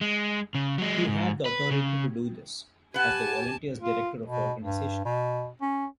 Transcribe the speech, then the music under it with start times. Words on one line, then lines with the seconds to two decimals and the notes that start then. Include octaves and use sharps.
He had the authority to do this, as the Volunteers' Director of Organisation.
0.01 G#3
0.55 C#3
0.78 F#3 G#3
1.07 G#2
1.45 B4
1.71 C#3
2.94 G4 B4 F#5 G#5 A5
3.82 F4
4.26 B2
4.62 G2
5.05 B2
5.61 C#4